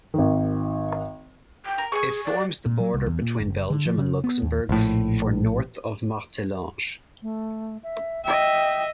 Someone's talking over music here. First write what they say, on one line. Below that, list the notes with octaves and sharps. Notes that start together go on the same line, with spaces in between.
It forms the border between Belgium and Luxembourg for north of Martelange.
G#1 D#3
G5
A#4
G#4 G#5 C#6
D5
A#2
F#3
C2
E2
A#2
F#1
D3
F3
C#3
B3
D#2
A#1 A2
A3
E5
D#5 E5 G5